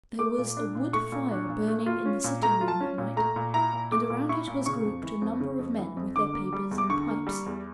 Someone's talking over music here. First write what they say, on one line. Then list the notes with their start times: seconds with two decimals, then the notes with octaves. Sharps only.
There was a wood-fire burning in the sitting-room that night, and around it was grouped a number of men with their papers and pipes.
0.19 A3 D6
0.38 A#2
0.57 D4
0.75 A#2
0.93 A3 C#6
1.12 A#2
1.31 D4
1.49 A#2
1.68 A3
1.86 F4
2.05 C#4
2.24 A#2
2.42 A3 A#5
2.61 F4
2.68 A5
2.80 C#4
2.98 A#2
3.17 A3 A#5
3.36 A#2
3.54 E4 A#5
3.73 A#2
3.91 A3 D6
4.10 A#2
4.29 E4 C#6
4.47 A#2
4.66 C#3 C#6
4.85 F2
5.03 E3
5.22 F2
5.40 C#3
5.59 F2
5.79 E3
5.97 F2
6.16 D3 D6
6.33 A#3
6.53 G3
6.71 E2
6.78 D6
6.89 D3 C#6
7.08 A#3
7.27 G3
7.46 E2